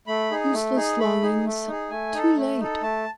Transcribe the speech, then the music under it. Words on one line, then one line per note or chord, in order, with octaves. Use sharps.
Useless longings! Too late!
A3 B5
D#4 G#4
A3
D#4 G#4
A3 B5
D#4 G#4
A3
D#4 G#4
A3 G#5
D#4 A4
A3
D#4 A4
A3 A5